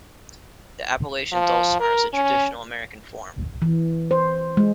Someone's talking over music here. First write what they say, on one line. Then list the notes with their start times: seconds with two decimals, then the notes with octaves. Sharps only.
The Appalachian dulcimer is a traditional American form.
1.33 F3
1.80 A#4
2.14 C#4
3.62 E3
4.11 C5
4.57 G#3